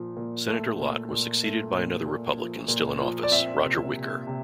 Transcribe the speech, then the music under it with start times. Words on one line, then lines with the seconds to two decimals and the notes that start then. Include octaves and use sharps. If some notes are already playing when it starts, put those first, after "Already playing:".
Senator Lott was succeeded by another Republican still in office, Roger Wicker.
Already playing: A#2 F3
0.17 A#2
0.48 A3
0.80 A#2
1.11 A#2
1.43 A3
1.74 A#2
2.06 A#2
2.38 F3
2.68 A#2
3.01 F3
3.23 D5
3.32 C4 E5
3.63 C3
3.95 C3
4.27 C3